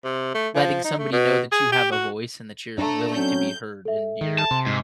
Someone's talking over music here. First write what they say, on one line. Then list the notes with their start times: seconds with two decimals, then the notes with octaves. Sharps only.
letting somebody know that you have a voice and that you're willing to be heard, and you're
0.04 C3
0.34 A3
0.55 F3
0.84 D#4
0.99 A3
1.12 B2
1.52 G#4
1.72 G4
1.92 F#4
2.78 A3 D4 A4 D5 A#5
3.14 F#3 C4 C#4 G6
3.85 A4 E5
4.21 D#3
4.38 A5
4.51 C3 C6
4.67 G#2